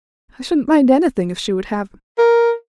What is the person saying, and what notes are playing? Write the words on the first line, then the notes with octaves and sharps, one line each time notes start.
I shouldn't mind anything if she would have me.
A#4